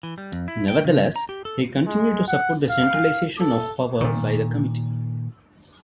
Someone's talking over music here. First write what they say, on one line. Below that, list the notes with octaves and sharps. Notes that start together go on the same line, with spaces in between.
Nevertheless, he continued to support the centralization of power by the Committee.
E3
G3
F2
E4
G5
C#3
A#5
G4
A4
G#3
F#5
F5
A4
A#2 D#3